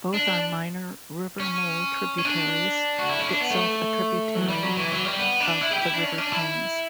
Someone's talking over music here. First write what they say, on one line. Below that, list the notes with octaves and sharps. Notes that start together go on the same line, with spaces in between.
Both are minor River Mole tributaries, itself a tributary of the River Thames.
D4
C#4
C#4
D4
F#4
E4
C#4
D4
B3
A3
F#3
G3
F#3
E3
F#3
G3
B3
D4
E4
G4
E4
D4
C#4
D4
E4